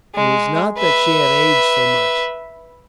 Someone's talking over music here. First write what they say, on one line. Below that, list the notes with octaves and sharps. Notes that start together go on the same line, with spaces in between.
It was not that she had aged so much.
G#3
B4 E5